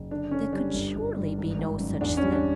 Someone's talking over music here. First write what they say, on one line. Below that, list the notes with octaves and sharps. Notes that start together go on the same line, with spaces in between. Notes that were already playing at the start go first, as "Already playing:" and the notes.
There could surely be no such slip!
Already playing: F#1
D3 D4
D3 C#4
G3 D4
G1
G1
G2
G#1
G#1
F#2
E2 D4
C#4
G3
D4